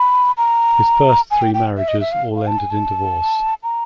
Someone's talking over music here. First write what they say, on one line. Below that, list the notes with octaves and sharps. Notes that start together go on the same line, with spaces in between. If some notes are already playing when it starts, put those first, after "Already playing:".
His first three marriages all ended in divorce.
Already playing: B5
A#5
G#5
G5
G5
E5
D#5
E5
F5
F5
A5
G#5
A5
A#5